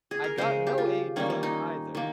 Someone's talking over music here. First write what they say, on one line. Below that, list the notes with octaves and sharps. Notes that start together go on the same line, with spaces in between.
I got no aid from either.
G#4
A#4
C#3 G#3 C5
G4
F4
D#3 G3 A#3 C#4
C#4
D#4
D#3 A#3